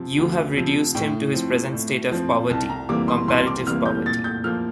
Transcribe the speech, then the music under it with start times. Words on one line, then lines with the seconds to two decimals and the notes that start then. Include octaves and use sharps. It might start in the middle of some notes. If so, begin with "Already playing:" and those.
You have reduced him to his present state of poverty — comparative poverty.
Already playing: C3 F3
0.18 D2
0.56 C3 F3
0.95 A2 G5
1.34 F3 C4
1.73 A2
2.11 F3 C4
2.50 C2 A5
2.70 A#5
2.89 C3 E3 G3 A#3 D6
3.08 C6
3.28 C2 C6
3.47 D6
3.66 C3 E3 G3 A#3 F6
3.85 G6
4.05 A#2 A6
4.24 G6
4.44 F3 A#3 F6